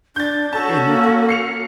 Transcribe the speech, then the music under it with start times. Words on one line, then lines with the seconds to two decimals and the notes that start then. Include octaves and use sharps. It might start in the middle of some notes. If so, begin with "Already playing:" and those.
And you could
0.16 D4 G6 A6
0.53 C#4 F#4 A4 A5
0.81 A#3
1.29 C7 C#7 F7